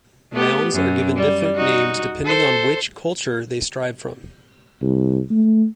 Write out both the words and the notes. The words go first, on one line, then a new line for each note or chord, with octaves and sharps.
Mounds are given different names depending on which culture they strive from.
A3 B3 G4
F#2
G3
D#4 F#4
A4 C5
C2
A3